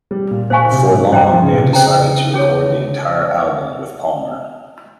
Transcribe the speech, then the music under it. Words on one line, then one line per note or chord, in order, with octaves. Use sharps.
Before long, they had decided to record the entire album with Palmer.
G3
A#2
A#2 C5 F5 G#5 C#6
C3
G#2
G2 C5 G5 A#5
F3
C#3
A#2
C3
C#3 C5 G5 A#5
C#4 G#4 C#5